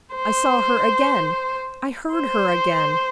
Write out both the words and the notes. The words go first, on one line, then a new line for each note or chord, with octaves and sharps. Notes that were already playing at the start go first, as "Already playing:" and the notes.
I saw her again; I heard her again.
C5
C5